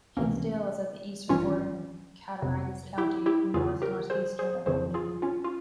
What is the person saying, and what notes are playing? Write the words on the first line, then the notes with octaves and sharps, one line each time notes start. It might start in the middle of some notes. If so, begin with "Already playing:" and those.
Hinsdale is at the eastern border of Cattaraugus County, north-northeast of Olean.
C#2 C3 E3 A#3 C#4
G#1 G2 E3 C#4 F4
G1 F2 C3
E4 G4
E4 G4
E2 C#3 E3 F4 G#4
G4 A#4
G#4 C5
G#4 C5
G1 F2 C#3 E3 G#4 C5
F4 G#4
C#4 F4
F4